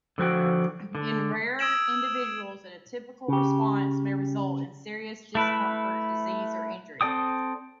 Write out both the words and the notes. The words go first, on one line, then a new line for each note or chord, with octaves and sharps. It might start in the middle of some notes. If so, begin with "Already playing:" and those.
In rare individuals an atypical response may result in serious discomfort, disease, or injury.
D3 F3 F#4 G5
D3
D#6 E6 G#6 D7 E7 F#7
C#3 G4
A3 E4 B4
C4 A4 D5 G5 D#6